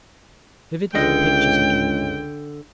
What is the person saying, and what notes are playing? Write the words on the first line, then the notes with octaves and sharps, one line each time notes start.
Vivid little pictures he gave me.
C#2 D3 D#5 G5